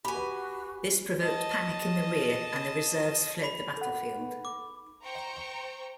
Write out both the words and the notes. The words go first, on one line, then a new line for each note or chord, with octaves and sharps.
This provoked panic in the rear and the reserves fled the battlefield.
F#4 G4 G#5 B5
D#5 A5
B5
A4 F#5
D6
C5 G5 A#5 C#6